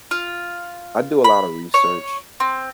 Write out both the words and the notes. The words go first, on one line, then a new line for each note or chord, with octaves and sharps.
I do a lot of research,
F4
B5
C#5
C4